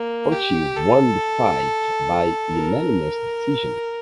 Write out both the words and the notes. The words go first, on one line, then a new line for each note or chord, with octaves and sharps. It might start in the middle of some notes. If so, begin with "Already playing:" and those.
Ochi won the fight by unanimous decision.
Already playing: A#3
G4
A4
A#4